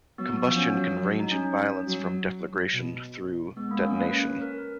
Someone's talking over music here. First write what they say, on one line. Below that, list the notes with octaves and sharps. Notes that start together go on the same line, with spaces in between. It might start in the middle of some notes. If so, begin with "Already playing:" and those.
Combustion can range in violence from deflagration through detonation.
F#3 B3
B3
F3
C#4
F#3
D#4
C#4
F#3
F#3
B2
G#3 B3
A#3
A#3 C#4
B4
C#4
A#4